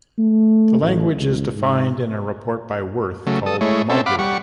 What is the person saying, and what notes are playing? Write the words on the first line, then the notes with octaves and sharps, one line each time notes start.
The language is defined in a report by Wirth called Modula.
A3
A1
C#2
G#2
C#3 F#3 A3
A4 D#6
G#3 A3 E4 C#5
C4 C#4 A4 E5
F5 F#5 B5 D6
G3 F#5 C#6